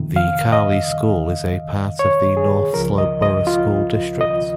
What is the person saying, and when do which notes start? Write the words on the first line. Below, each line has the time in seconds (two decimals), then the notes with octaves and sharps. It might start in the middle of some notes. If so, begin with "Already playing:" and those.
The Kali school is a part of the North Slope Borough School District.
Already playing: F2 C3 D#3
0.16 F5
0.52 D#5
1.99 C#5
2.37 G#4
2.73 C#2 C#3 F3 A#4
2.98 D#5
3.22 D#5
3.47 F4
4.21 D#5